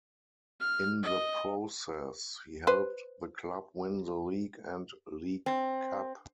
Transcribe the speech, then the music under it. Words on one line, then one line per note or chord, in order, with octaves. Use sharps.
In the process he helped the club win the League and League Cup.
F6
D#5
B4 C5
C4